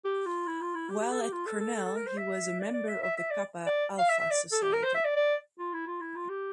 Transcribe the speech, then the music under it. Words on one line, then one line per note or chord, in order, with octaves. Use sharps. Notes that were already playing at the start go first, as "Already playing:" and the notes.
While at Cornell he was a member of The Kappa Alpha Society.
G4
F4
E4
F4
E4
G4
G4
A4
G4
F4
A4
A4
A4
A4
A#4
C5
E5
D5
D5
E5
E5
E5
D5
D5
F5
E5
E5
D5
A4
G4
A#4
C5
E5
D5
D5
F4
E4
F4
E4
F4
G4